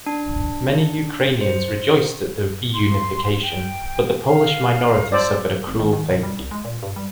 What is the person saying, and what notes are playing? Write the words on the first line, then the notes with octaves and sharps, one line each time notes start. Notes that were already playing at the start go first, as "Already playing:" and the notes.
Many Ukrainians rejoiced at the "reunification", but the Polish minority suffered a cruel fate.
D4
C5
C6
G5
F5
C5 D5 E6
G#1
D#3
D#3
B2
G3
C2
G#3
A#2
G2
G3